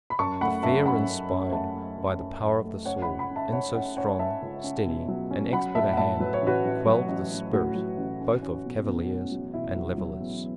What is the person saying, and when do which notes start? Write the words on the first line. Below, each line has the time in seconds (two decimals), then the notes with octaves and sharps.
The fear inspired by the power of the sword, in so strong, steady, and expert a hand, quelled the spirit both of Cavaliers and Levellers.
0.10 B5
0.19 F#2 A5 C#6
0.41 A3 F#5 B5
0.63 F#2 E5 A5
0.86 C#4 F#5 B5
1.08 F#2
1.31 F#2
1.52 A3 E5 A5
1.74 A3
1.98 F#2
2.20 C#4
2.42 F#2
2.64 A3
2.85 C#4 C#5 F#5
3.02 F#5 B5
3.08 C#2
3.19 F#5 B5
3.30 C#4
3.36 E5 A5
3.52 C#4 C#5 F#5
3.74 C#4 C#5 F#5
3.97 C#4 C#5 F#5
4.19 C#4 E5 A5
4.42 C#2
4.64 C#4
4.86 B2
5.08 F#3
5.31 C#4
5.53 F#3 F#5 B5
5.75 A2 E5 A5
5.93 F#5
5.97 A2 E5 A5
6.20 F#3 B4
6.34 C#5
6.42 A1 F#4 B4
6.65 A1
6.86 F#3
7.08 A1
7.32 A1
7.53 A2 F#4
7.75 F#3
7.98 A1
8.20 C#4
8.42 C#4
8.65 B2
8.86 E2
9.09 C#4
9.32 F#3
9.54 B2 E4
9.76 F#3
9.98 F#3
10.20 E2